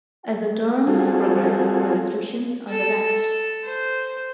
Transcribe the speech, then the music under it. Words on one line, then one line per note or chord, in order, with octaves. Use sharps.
As the terms progress, the restrictions are relaxed.
G3 C4 F4 F#4 G#4 A4
A4
C5